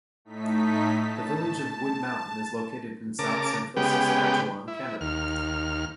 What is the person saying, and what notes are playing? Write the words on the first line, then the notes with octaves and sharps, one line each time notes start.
The village of Wood Mountain is located in south central Saskatchewan, Canada.
A2 A3 D#4 B6
A5
C#3 A#4 A5 D6
C#3 G#3 B3 G4 G5
E4
D#2 F6